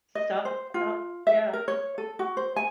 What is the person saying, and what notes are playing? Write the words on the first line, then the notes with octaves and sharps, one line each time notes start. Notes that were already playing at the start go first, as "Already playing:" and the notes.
Stop stop yeah.
D#5
C5
F4
E5
A#4
C#5
A4
F#4
C5
G#5